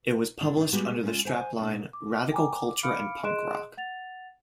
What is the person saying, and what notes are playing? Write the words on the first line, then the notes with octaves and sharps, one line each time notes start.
It was published under the strapline 'Radical culture and punk rock'.
D4 E4
D#3 D4
G3 G#3 B3 F#4 G4
G#3 C#4 F4
C5 G#5
A#2 D4
D6
G5 G#5 A#5 D6
D6
F5 B5 D6 F6 C#7 D7
G#4 D#5 C6 F#6 D7 E7
F#5 A6 F7